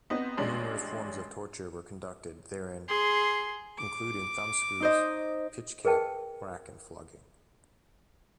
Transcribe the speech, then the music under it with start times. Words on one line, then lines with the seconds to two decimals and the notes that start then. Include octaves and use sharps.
Numerous forms of torture were conducted therein including thumb screws, pitch-cap, rack and flogging.
0.10 B3 C4 D#4
0.37 A1 G#3 C#4 D4 C6
2.88 G#4 C6
3.78 D6
4.80 D#4 C5 D#5
5.85 G#4 A#4 B4 D#5 G5 A5